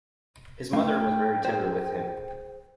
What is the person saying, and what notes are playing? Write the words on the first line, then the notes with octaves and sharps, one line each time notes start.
His mother was very tender with him.
A3 F5 G5
G#4 C5